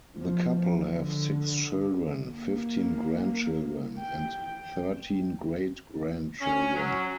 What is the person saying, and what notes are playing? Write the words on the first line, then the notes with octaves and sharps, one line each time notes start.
The couple have six children, fifteen grandchildren, and thirteen great-grandchildren.
F3
D3
A#3
G5
C#4
F#3